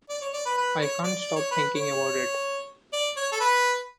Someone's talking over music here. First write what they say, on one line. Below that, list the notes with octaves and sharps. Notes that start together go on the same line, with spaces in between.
I can't stop thinking about it.
D5
C#5
D5
B4
B4
C#5
D5
D5
C#5
B4
C#5
D5
C#5
A4
B4